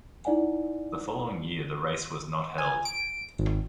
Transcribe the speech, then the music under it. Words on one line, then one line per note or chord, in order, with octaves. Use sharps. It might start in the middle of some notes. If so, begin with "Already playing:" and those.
The following year the race was not held.
D#4 E4 D5 F#5 G#5
G#5
D7
G#1